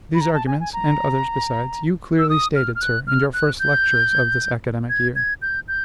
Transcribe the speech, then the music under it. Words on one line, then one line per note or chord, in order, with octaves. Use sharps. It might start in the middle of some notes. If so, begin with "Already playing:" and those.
These arguments, and others besides, you clearly stated, sir, in your first lectures of this academic year.
B5
A#5
A5
G#5
G#5
A#5
E6
D#6
F6
F6
F#6
F6
F#6
G6
G#6
G#6
G6
G6